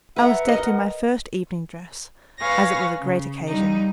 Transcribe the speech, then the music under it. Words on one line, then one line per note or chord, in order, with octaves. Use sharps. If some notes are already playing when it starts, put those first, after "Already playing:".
I was decked in my first evening dress, as it was a great occasion.
B4 E5 F#5 A#5
A#4 D#5
B4 C#5 F5 G#5 A#6
C#3
G3 D#4